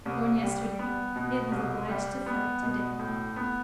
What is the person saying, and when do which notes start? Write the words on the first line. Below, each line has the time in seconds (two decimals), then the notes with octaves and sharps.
Born yesterday, it was obliged to fight to-day.
0.05 C2
0.43 G3
0.79 B3
1.16 B2
1.52 C2
1.89 G3
2.26 B3
2.62 B2
2.99 A2
3.36 B3